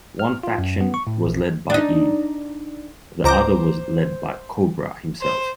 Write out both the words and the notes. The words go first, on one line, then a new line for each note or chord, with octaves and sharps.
One faction was led by Eve; the other was led by Kobra himself.
F6
F4
F#2
B3
C#6
A2
A#1
D4 D#4
C#2 C5 A#5 D6 G6
C5